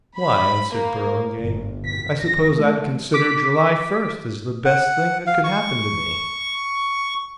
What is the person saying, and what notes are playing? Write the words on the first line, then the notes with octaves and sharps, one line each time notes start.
"Why," answered Burlingame, "I suppose I'd consider July first as the best thing that could happen to me."
B5
A#3
G1
B6
A#6
A3
D6 B6
F#5
F5
C#6